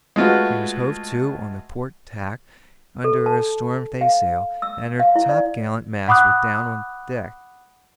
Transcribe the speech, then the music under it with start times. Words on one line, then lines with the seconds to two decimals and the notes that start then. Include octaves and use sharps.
She was hove-to on the port tack under a storm-staysail, and her topgallant-masts were down on deck.
0.16 G#3 A3 F4 F#4 B4
3.04 A4
3.26 A5
4.01 F5
4.62 E6
5.00 F5
5.16 E4
5.29 D5
6.08 F#5 B5 D6 D#6 F#6